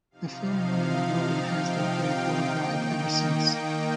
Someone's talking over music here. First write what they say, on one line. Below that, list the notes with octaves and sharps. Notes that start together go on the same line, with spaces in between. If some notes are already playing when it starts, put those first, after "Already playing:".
The film won an award and has been aired worldwide ever since.
C3 F3 D#4 F5
G5
D#3 A#3 D#4